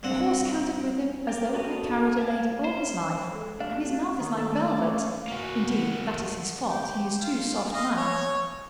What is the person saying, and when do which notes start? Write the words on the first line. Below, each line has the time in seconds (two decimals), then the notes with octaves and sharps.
"The horse cantered with him as though he had carried a lady all his life, and his mouth is like velvet; indeed, that is his fault--he is too soft-mouthed."
0.03 G2 C4 F#5
1.29 A#4 D5 G5
1.53 B3 F#4 A4 D#5 A#5
2.18 A#4 E5 F5 G#5 A5
2.64 B3 C#4 C5
3.29 G#3 A4
3.60 A3 D4 F#4 G4 F5
4.20 D#3
4.38 A4
4.51 A3
4.68 D6
4.82 C#4
4.97 F5
5.28 A#3 F#4
6.69 G4
7.19 F4
7.74 D#5 F5
7.97 C#5